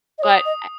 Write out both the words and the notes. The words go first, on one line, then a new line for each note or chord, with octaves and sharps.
but I
D#5
C#5 D#6
D#5